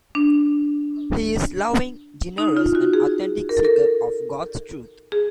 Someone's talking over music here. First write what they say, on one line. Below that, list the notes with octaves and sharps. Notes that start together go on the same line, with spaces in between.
He is a loving, generous, and authentic seeker of God's truth.
D4
D#4
F4
F#4
G#4
A#4
A4
A#4
G#4